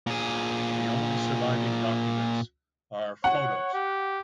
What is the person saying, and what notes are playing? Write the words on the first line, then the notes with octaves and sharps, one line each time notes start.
The only surviving documents are photos.
A#2 G#4
C#5 F#5
G4